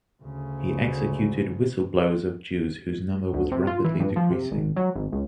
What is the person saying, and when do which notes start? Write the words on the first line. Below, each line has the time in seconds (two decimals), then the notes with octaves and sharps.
He executed whistleblowers of Jews whose number was rapidly decreasing.
0.21 D2 C#3
3.34 D2
3.52 C3
3.67 F4
3.84 E3
4.00 G2
4.16 F3
4.31 C3
4.51 G#1
4.76 F#3
4.95 G#1
5.12 C#2